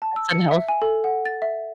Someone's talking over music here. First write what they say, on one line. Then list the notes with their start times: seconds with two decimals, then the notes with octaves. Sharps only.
That's unhealthy.
0.02 A5
0.16 E6
0.31 C#7
0.51 E5
0.68 G#5
0.82 A4
1.04 F#5
1.25 A6
1.42 E5